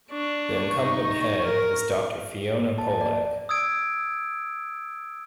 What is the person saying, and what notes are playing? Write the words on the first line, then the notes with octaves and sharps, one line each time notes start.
The incumbent Head is Doctor Fiona Polack.
D4 C#6
D#4
A#4
A#3
A5
D5
D#6 E6 G#6 D7